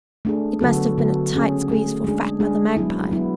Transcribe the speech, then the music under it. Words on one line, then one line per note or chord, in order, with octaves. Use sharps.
It must have been a tight squeeze for fat Mother Magpie!
A3 D4 G#4
D3 F#3 B3 F#4 A4
D3 F#3 B3 F#4 A4
A3 C#4 G#4
A3 C#4 G#4
G#3 D4 G#4
G#3 D4 G#4
F#3 B3 E4
F#3 B3 E4